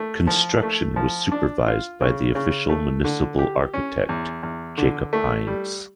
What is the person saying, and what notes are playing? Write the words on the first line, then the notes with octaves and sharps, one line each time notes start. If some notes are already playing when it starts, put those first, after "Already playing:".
Construction was supervised by the official municipal architect, Jacob Heinz.
Already playing: A3
F3
A3
F3
D4
F4
C#3
C#3
A3
D3
G4
C#4
E2
E2
D3
A3
G3